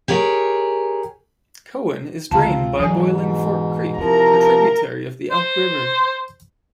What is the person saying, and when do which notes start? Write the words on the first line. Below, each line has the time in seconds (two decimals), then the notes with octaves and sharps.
Cowan is drained by Boiling Fork Creek, a tributary of the Elk River.
0.08 G4 G#4 A#4 C#5
2.31 C#2 D3 C4 F4 F5 A5
2.80 G#2 B2 E3 F#3 G#5
3.98 C3 F3 E4 A#4 A#5
5.31 C5